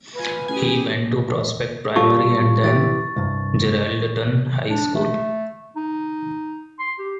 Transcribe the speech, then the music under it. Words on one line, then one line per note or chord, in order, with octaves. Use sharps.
He went to Prospect Primary and then Geraldton High School.
F4 B4 G#5
A1 G4 G#4 G#5
G3 F4 A4 C#6
E3 G4 A6
C2 G2
D4
A3
D#4
C6
G4